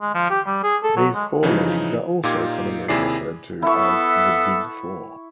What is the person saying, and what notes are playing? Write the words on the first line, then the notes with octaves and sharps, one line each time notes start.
These four leagues are also commonly referred to as the "Big Four".
G#3
F3
G4
G3
G#4
A4
F#3
G#3
C#3 E3 F3 D#4
A#2 D#4 F4 G4 D6 G#6
D#2 C3 E4 G#4 D5 C7
B3 E4 A4 E5 C#6